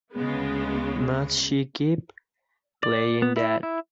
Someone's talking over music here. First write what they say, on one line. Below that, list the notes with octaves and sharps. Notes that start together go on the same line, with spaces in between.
Must she keep playing that?
D2 C#3 G#3 B3
D5
B3
E4
E4